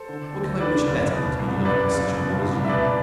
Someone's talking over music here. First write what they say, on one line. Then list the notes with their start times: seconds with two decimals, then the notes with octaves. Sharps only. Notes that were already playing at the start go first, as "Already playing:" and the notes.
What could I wish better than to be loved by such a one as you?
Already playing: A4 C5
0.09 D3
0.34 D2
0.60 E2 B4 D5
0.87 F#1
1.13 B2
1.39 C2
1.65 F#2 B4 D5
1.91 F#1
2.17 B2
2.43 C2
2.65 E5
2.69 B2 B4 D5